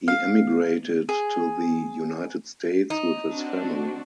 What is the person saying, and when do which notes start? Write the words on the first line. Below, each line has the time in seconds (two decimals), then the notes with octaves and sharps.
He immigrated to the United States with his family.
0.08 F5
1.09 G#4
2.90 D#4
3.31 C4 D4 F#4